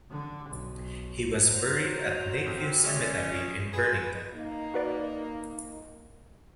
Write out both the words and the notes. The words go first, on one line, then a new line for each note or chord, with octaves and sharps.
He was buried at Lakeview Cemetery in Burlington.
D3
B1
F#3 C5 A#5
F2 C4
G#3 C#4 C#5 D5 E5
G#4
A#3 F4 G#4 B4
A#3 D#4
F#4 B4 D5